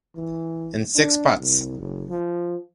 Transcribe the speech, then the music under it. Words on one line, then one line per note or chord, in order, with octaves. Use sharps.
In Six Parts.
E3
D4
C2
F#1
F3